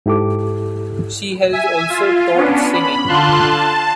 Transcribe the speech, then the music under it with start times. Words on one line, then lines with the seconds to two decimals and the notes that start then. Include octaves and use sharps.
She has also taught singing.
0.06 G#2 E4 G4 A4 D6
1.52 E5 G#5
1.90 F4
2.34 B3 C#4 D4
2.72 B5
3.08 D3 F4 A5 C6 F#6
3.51 A5